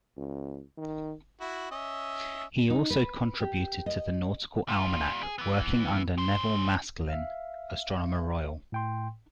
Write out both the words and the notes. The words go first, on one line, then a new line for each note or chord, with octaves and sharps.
He also contributed to the "Nautical Almanac", working under Nevil Maskelyne, Astronomer Royal.
C#2
D#3
E4 F#4
C#4 D#5 E5
D#4
B4
G4
D#5
G3 F4
G#4
E3 B3
C#4 C5
E5 F5
A2 G5 C6